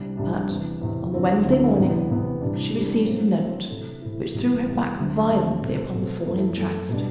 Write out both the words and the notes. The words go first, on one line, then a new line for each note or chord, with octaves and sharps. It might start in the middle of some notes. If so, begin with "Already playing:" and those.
But on the Wednesday morning she received a note which threw her back violently upon the Fawn interest.
Already playing: C2 C3 G3 D4
C2 C3 G3 D4
E2 C3 E3
E2 C3 E3
D2 D3 F#3 C4 E4
D2 D3 F#3 C4 E4
E2 C3 E3 B3
E2 C3 E3 B3
C3 E3 G3 D4
C3 E3 G3 D4
A2 F#3 C4
A2 F#3 C4
C3 E3 A3 E4
C3 E3 A3 E4
E2 C3 E3 G3
E2 C3 E3 G3
D2 D3 F#3 C4
D2 D3 F#3 C4
B2 A3 C4
B2 A3 C4
F#2 E3 A3 E4
F#2 E3 A3 E4
B2 G3 D4